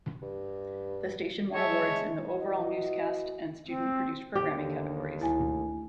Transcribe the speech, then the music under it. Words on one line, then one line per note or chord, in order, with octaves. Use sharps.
The station won awards in the "overall newscast" and "student produced programming" categories.
G2
G#3 C#5 E5 A5
E3 F#4 D#5
C4
D#2 D3 G4
D2 E4 G#5